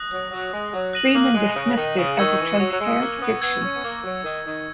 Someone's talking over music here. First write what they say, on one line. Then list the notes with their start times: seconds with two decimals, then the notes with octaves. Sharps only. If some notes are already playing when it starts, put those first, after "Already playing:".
Freeman dismissed it as a transparent fiction.
Already playing: D#6 F#6 A#6
0.11 F#3
0.31 F#3
0.52 G#3
0.72 F#3
0.93 F#6 A#6 D#7 F#7
1.14 A#3
1.34 G#3
1.56 C#3
1.76 D#3
1.97 C#3
2.17 D#3 C#6 E6 G#6 C#7
2.39 E3
2.53 G#3
2.58 F#3
2.71 F#3
2.79 G#3
3.00 A#3
3.16 C#4
3.21 B3
3.41 B3 E6 G#6 C#7
3.62 C#4
3.74 B3
3.82 A#3
4.03 F#3
4.24 D#3
4.45 D#3